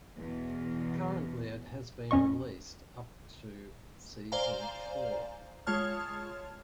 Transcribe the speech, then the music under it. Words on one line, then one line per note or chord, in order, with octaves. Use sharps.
Currently, it has been released up to season four.
E2 B2
F2 C#4 D#5 C#6
C5 D5 F5 G#5 A#5
G#3 F4 C#5 A5 F6